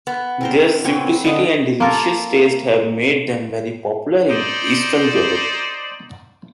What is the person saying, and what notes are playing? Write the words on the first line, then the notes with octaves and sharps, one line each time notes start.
Their simplicity and delicious taste have made them very popular in Eastern Europe.
B3
C4 A#4 C5
A#2 C#3 B3 C4 C#5
D3 B4 D#5
A#3 F4 A4 A#4
D#4 C5 D5